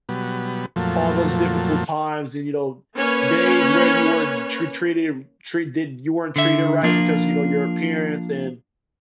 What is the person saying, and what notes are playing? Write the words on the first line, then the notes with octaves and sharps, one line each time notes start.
all those difficult times and, you know, days where you were tr treated treated you weren't treated right, because, you know, your appearance, and
B2 F#3 G3 B3
F2 A#2 F3 F#3 A3
A#3 C#4 B4 C#5
D3 E5
F3 A#3 D4 F4